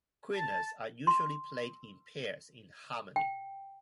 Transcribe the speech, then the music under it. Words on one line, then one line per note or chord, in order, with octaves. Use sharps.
Quenas are usually played in pairs, in harmony.
A5
C6
G5